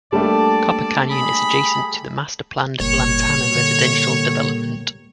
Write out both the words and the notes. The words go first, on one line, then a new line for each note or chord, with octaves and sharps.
Copper Canyon is adjacent to the master-planned Lantana residential development.
G3 A3 A#3 D4 A4 D5 A5
G#4 B5
F#1 A#2 G3 A#3 C#5
D3